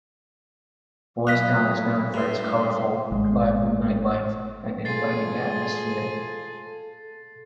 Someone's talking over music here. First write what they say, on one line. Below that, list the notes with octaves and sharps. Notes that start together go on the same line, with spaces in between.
Boystown is known for its colorful, lively nightlife and inviting atmosphere.
F#3 E4 D#5 F5 F#6 B6
G2 A3 E5 C6
G#1 G#3
F4 G#4 A4 A6 C7